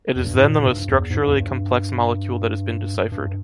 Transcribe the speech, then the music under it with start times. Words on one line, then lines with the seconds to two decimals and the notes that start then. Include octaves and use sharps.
It is then the most structurally complex molecule that has been deciphered.
0.16 E2
0.25 G2
0.35 G#2
0.44 A#2
0.61 G#2
0.66 G2
0.88 E2
1.10 G#2
1.19 G2
1.27 E2
1.36 G2
3.12 G2